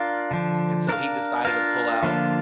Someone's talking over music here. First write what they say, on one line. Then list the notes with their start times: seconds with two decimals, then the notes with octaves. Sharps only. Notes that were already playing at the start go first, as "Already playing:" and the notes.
and so, he decided to pull out
Already playing: D4 F4 A#4 D5 F5
0.31 D3 F3 D4
0.88 D4 A#4 F5
1.45 D4 F4 A#4 F5
2.03 D3 F3 A#3 D4 F4